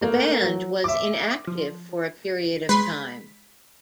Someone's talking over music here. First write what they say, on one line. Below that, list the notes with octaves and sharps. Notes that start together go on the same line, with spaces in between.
The band was inactive for a period of time.
A3 A#3
F#3
E5 D6
F3
G#3 B4 C6 B6